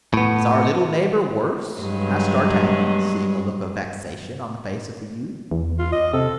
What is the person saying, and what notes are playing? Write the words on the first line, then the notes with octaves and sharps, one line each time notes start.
"Is our little neighbor worse?" asked D'Artagnan, seeing a look of vexation on the face of the youth.
A2 B3
G2 F#3 G#3
E2
F4
D#5
C3 A4